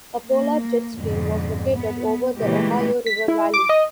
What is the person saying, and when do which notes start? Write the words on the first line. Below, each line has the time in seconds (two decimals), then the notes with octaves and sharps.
A polar jet stream was located over the Ohio River valley.
0.25 A#3
0.96 F2 G#2 B2 D3
1.71 B3
2.37 A#2 C#3 E3 G#3 A3 G4
3.06 B6
3.28 E4
3.54 D6
3.69 D#5